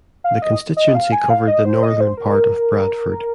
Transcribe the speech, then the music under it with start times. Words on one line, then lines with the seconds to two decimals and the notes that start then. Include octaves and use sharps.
The constituency covered the northern part of Bradford.
0.24 F5
0.42 D#5
0.77 D#5
0.95 F5
1.12 G#5
1.30 F5
1.48 D#5
1.65 C5
1.83 D#5
2.01 C5
2.17 A#4